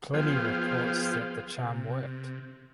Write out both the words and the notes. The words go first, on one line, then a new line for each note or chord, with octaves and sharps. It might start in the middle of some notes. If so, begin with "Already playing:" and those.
Pliny reports that the charm worked.
F3 B3 G#4 C5 F5 G5
C3